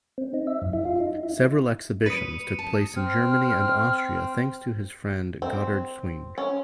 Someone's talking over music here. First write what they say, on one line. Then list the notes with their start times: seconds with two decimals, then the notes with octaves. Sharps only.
Several exhibitions took place in Germany and Austria thanks to his friend Gotthard Schwinge.
0.18 C4
0.34 D#4
0.47 E5
0.62 F#2
0.73 E4
0.85 F4
1.00 D#4
1.23 E4
2.06 B4 D#6 C#7 D#7
2.59 A5
2.96 C4 F6
5.42 C4
6.38 C#4